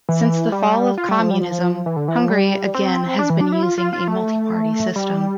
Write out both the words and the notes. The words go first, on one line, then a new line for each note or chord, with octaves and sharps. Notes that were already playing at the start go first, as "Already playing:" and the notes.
Since the fall of the communism Hungary again has been using a multi-party system.
E3
G3
F4
G3
F3
G3
F3
E3
D3
E3
F3
G3
C4
D4
E3
D4
E4
F4
F4
F4
A3
G3